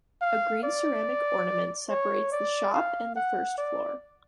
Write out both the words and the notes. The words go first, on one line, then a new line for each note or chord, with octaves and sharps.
A green ceramic ornament separates the shop and the first floor.
F5
D5
C#5
D5
F5
F#5
D5